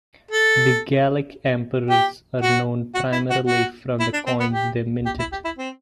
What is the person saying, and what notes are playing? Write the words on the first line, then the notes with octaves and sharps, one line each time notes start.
The Gallic Emperors are known primarily from the coins they minted.
A4
G4
F#4
F#4
E4
F#4
F#4
E4
D4
C4
B3
G4
G4
E4
G4
E4
C4